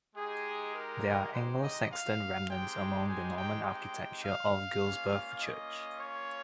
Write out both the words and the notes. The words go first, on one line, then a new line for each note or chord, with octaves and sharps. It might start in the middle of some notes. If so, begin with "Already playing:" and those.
There are Anglo-Saxon remnants among the Norman architecture of Guilsborough church.
G#3 D#4 G4 G#4
A#4
C5
D#5
F5
G#3 C4 D#4 G4 G5
G#5
G5
G5
F5
A#3 C#4 F4
D#5
C#5